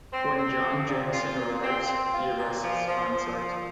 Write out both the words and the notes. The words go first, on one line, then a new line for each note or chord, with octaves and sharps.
When John Jameson arrives, he arrests Hindsight.
C4
C4
F3
A#2
F4
A#2
C4
C4
F4
A#2
F3
F3
F3
F3